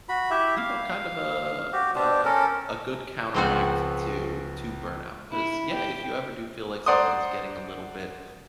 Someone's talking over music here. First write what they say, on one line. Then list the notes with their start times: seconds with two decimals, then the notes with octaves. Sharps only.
you know, kind of a a a good counteract to to burnout. 'Cause yeah, if you ever do feel like something's getting a little bit,
0.09 F#4 B5
0.31 E4 G4 E5
0.57 F5
1.73 F#4 G4
1.95 D4 G4 C5
2.25 C#4 A4 A#4
3.34 C#2 F3 C4 F#4 G#4
5.32 E4
5.70 G4
6.86 C5 D5 F#5 A#5 C6 D#6